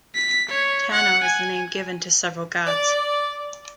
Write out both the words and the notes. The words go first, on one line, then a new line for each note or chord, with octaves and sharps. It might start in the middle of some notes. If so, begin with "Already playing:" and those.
Tano is the name given to several gods.
B6
C#5
F#5
G#5
D5